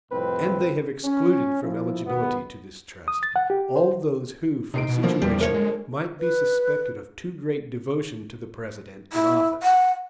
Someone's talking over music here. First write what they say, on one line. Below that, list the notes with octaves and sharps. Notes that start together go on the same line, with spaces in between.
And they have excluded from eligibility to this trust, all those who from situation might be suspected of too great devotion to the President in office.
C2 F2 A2 C4 B4
C#4
F3 E4
D#2 B2 B3
D#6
A6
F#5
G4
C5
C3 D#4 C7 D7
B2
D3 F3 A#3
E2 G3
A#4 C#5
G#3
B4
E4
F#5